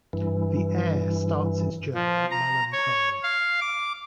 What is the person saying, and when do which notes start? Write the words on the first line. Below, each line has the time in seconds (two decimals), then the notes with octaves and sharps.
The Aire starts its journey at Malham Tarn.
0.13 G2 E3
1.94 F3
2.31 A#5
2.73 C#5
3.23 F5
3.60 D6